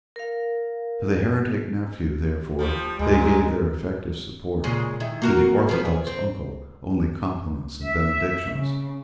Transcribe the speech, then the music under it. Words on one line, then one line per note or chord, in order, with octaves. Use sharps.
To the heretic nephew therefore they gave their effective support, to the orthodox uncle only compliments and benedictions.
A#4 F5
F3 G3
D2 A#2 G#3
A#2 C#3 G#3
D#3 E4
A#3 F#4 A#4
F3 B3
G#4
C4
E5
C#3